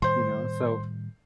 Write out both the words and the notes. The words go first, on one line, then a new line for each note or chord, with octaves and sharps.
You know? So
A2 D#3 G3 C5 C6